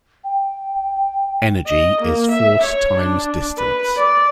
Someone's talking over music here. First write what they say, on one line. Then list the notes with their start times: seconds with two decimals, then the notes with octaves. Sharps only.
Energy is force times distance.
0.24 G5
1.67 D#5
2.02 A#3
2.31 E5
2.62 C#5
2.97 D4
3.58 B4
3.96 D5